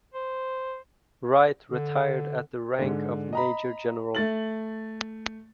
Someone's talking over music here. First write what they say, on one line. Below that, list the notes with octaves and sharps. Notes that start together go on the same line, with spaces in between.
Wright retired at the rank of major general.
C5
D3
G#2 D3
D#5 A#5 B5
A3 A6 F#7